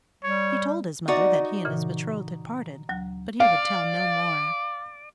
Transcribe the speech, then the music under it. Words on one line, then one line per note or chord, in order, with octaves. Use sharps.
He told his mother that he and his betrothed had parted; but he would tell no more.
G3 C#5
D#4 F#4 D5 E5
A#2 C#3 E3
D2 F#3 F#6
D5 F5